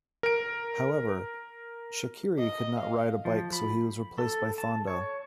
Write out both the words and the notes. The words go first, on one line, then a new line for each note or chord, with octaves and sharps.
However Chakiris could not ride a bike so he was replaced by Fonda.
A#4 D7
D#5
F5
F3
B5
A4
A5
C#5